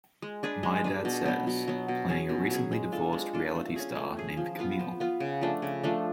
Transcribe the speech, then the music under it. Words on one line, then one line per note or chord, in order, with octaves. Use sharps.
My Dad Says, playing a recently divorced reality star named Camille.
G#3
D4 G#4 B4
G#3
D4 G#4 B4
B2
F#3 B3
B2
F#3 B3
B2
F#3 C#4 G#4
B2
F#3 C#4 G#4
G#3
D4 F4 A4
G#3
D4 F4 A4
A3
C#4 G#4
A3
C#4 G#4
F3
B3 F4 B4
F3
B3 F4 B4
C#3
F3 A3 D4
C#3
F3 A3 D4